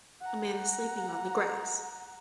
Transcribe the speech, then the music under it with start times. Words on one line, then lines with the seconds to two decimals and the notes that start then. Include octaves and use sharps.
A man is sleeping on the grass.
0.21 F#5 A#5